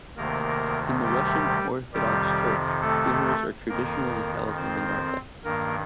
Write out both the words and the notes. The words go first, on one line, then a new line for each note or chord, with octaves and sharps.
In the Russian Orthodox Church funerals are traditionally held in the narthex.
D2 C3 D#3 A#3 A#4
G3 G4
F2 C3 D#3 G3 G4
A3 A4
F2 D#3 A#3 A#4
C4 C5
G2 D#3 A#3 A#4